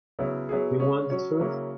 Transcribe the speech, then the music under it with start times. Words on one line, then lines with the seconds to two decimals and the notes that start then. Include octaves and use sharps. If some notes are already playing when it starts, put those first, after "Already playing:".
You want the truth?
0.19 C#3 F#3 B3 E4
0.49 F#3 B3 E4 G#4
0.80 C#3 G#3 C#4
1.10 F#3 C#4 F#4 C#5
1.40 C#3 F#3 A#3 C#4 E4